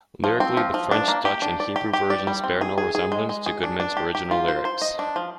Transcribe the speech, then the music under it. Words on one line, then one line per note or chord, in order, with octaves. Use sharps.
Lyrically, the French, Dutch and Hebrew versions bear no resemblance to Goodman's original lyrics.
F3
C4
F3
F3
D4
A#3
G4
D4
D5
G4
G4
D5
G3
C4
G#4
G#4
G#4
G#3
G#3
G#4
D4
D4
G4
G4
F4
C5
C5
D#5
D4
F3